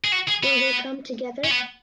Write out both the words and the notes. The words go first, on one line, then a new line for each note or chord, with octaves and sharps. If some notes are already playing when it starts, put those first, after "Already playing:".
Will they come together?
G#4
F#4
G#4
B3
C#4
B3